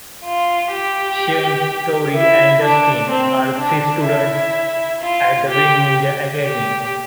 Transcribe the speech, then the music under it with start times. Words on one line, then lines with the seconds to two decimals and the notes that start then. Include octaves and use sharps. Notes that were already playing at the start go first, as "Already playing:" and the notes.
Shane, Tori and Dustin are three students at the Wind Ninja Academy.
0.25 F4
0.72 G4
2.15 E4
2.63 D4
3.10 C4
3.58 D4
4.05 E4
5.01 F4
5.49 G4
6.44 G4